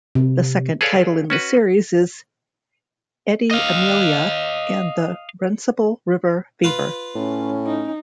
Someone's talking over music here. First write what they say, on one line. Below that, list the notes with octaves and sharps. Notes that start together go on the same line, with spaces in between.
The second title in the series is "Edie Amelia and The Runcible River Fever".
C3
G#4 A4 B4 C#5 D5 F5
C#4 F#4 B4
D#5 F5
F4 B4 F5
A2 C#4
D#4